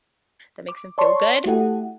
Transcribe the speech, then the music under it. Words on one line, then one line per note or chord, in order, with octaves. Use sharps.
that makes them feel good.
D6
C#5 D5 A5 C6 C#6
A3 E4 F#4 G4 A4 F#5